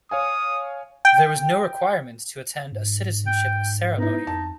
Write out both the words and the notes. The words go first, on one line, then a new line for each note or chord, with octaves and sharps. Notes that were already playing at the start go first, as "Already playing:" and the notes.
There was no requirement to attend a citizenship ceremony.
C#5 F5 G#5 D#6
G5
G#2
G5
B3 D#4 E4
F2 A5